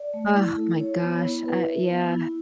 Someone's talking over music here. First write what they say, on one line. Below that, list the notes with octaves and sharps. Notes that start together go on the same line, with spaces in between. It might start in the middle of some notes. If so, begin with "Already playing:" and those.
Ugh, my gosh, uh, yeah.
Already playing: D5
A3
E4
A4
C#5
B3
E4
B4
E5
B3
E4